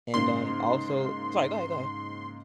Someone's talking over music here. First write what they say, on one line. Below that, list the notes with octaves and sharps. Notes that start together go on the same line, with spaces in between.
and, um, also sorry, go ahead, go ahead.
G#2 C#3 A#3 C6